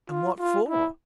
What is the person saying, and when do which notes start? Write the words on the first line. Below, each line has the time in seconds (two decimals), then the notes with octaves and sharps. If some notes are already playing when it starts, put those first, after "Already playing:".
"And what for?"
0.10 F4
0.39 F4
0.69 E4